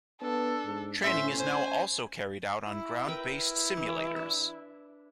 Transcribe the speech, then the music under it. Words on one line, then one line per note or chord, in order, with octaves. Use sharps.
Training is now also carried out on ground-based simulators.
B3 D4 A4
G#2
A2 C#4 C5 E5
C5 G#5
E4
A#4 B4 G5
E4
E3
D4 E5